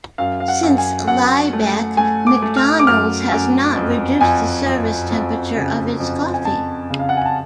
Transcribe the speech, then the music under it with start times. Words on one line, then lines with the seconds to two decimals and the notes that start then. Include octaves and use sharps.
Since "Liebeck", McDonald's has not reduced the service temperature of its coffee.
0.18 F#2 F5
0.40 F5
0.48 F#5
0.63 F#2
0.78 G#5
1.07 F#2 F#5
1.53 A3
1.97 A3 G#5
2.27 D6
2.42 A3
2.57 F6
2.79 D6
2.87 F#2 F6
3.32 F#2
3.76 F2
4.21 F2 G#5
4.66 F2
5.10 F2
5.56 C#3
6.00 F2
6.34 G#5
6.45 F2 A5
6.90 C#3
6.99 F5
7.09 F#5
7.17 G#5
7.26 A5